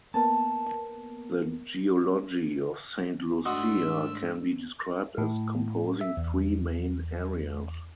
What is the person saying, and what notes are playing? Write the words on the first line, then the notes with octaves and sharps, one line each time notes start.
The geology of Saint Lucia can be described as composing three main areas.
A#3 B3 A#4 A5
G#2 A3 D4 F#4 D#5 C6 D#6 E6
A2
E5
E2